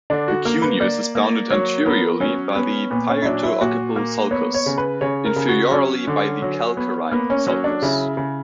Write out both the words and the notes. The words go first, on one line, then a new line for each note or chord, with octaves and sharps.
The cuneus is bounded anteriorly by the parieto-occipital sulcus, inferiorly by the calcarine sulcus.
D3 D4
F#4
A#3 A#4
B4
A#3 D5
A#3
F#3 C#5
B3 A#4
F#3 C#4
B3
A#2 B3
C#4
E4
F#3 D4
E4
A#2 F#4
A#3
B3 C#5
C#5
C#3
B4
C#3 C#5
A#4
C#3
F#4
F#3 C#4
D3
F#3
B3
A#3 B3
C#4
F#3 C#4
D4
C#3 E4
C#3